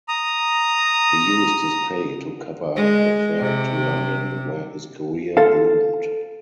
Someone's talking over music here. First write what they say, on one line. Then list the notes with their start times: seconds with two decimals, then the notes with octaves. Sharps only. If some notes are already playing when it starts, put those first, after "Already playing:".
He used his pay to cover the fare to London where his career bloomed.
0.08 A#5 D#6
2.76 G#3
3.39 C3
5.37 A4 C5 F5